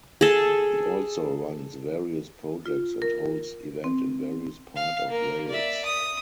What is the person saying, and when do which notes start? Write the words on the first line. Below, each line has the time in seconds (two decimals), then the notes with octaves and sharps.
It also runs various projects and holds event in various part of Wales.
0.21 G#4 A4
2.66 F4
3.02 A#4
3.84 C4
4.76 F5
5.08 A#3 A#4
5.48 D5 E5
5.85 D#6